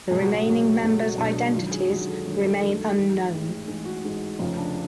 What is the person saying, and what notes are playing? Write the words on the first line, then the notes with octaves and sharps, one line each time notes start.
The remaining members' identities remain unknown.
C#2 B2 F#3 G#4
F#4
G#4
C#2 B2 F#3
C#2 B2 F#3 A4
F#4
C#2 B2 F#3 D4
D4
G#1 F#2 D3 F#3 F4
G#4
G#1 F#2 D3 F#3 F#4
A4
G#1 F#2 D3 F#3
A4
G#1 F#2 D3 F#3 A4
A1 G#2 G#3
A1 G#2 G#3
A1 G#2 G#3 G#4
F#4
A1 G#2 G#3
F1 F2 C#3 F4
D4